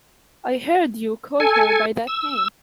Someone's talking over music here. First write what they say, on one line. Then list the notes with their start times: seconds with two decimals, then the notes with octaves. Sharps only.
I heard you call her by that name.
1.40 A4 G#5
2.07 E6